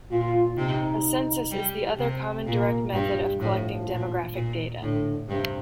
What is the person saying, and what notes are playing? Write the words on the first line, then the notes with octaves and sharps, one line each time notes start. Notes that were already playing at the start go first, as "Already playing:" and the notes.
A census is the other common direct method of collecting demographic data.
A#2 F4
C3 D#4
G3
C3 C4
A#2 A#3
G2 G3
A2 F3
A#2
A#2
A2 D3
G2 C3